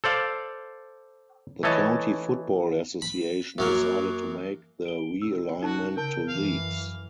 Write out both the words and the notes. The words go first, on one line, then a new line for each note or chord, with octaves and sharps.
The County Football Association decided to make the realignment to leagues.
A4 C5 D5 F5
E3 A3 C#5 D#5 A5
B5
F#2 F#3 A#3
D7 G7
C3 E6
D#4 F#4 A5
C#3 A#4 G5 A5
F#2 E3 F5